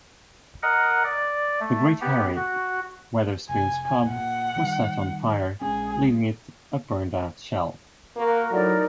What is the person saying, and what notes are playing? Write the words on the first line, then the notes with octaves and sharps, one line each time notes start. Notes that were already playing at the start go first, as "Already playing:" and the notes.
"The Great Harry" Wetherspoons' Pub was set on fire, leaving it a burned-out shell.
A#4 D#5 F#5
D5
A3
B3 G4
F#4
F1 G#5
A#2 F#5
D#3 G3
A#1 G#3 C#4 G#4
A#3 F#4 A#4
A2 F#3 D#4 A#4 D5